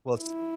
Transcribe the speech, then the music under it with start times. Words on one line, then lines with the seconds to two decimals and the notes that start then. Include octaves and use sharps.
Well, s
0.19 E4